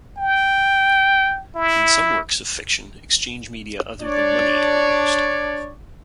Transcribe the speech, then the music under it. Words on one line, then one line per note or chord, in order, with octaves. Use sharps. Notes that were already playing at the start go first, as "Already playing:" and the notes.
In some works of fiction, exchange media other than money are used.
G5
E4
D4 C#5 D5